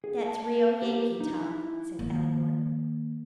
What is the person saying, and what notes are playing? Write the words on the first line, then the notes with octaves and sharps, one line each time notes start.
"That's real Yankee talk," said Elinor.
G#4
A5
G4
D#4
E4
D#3 A#3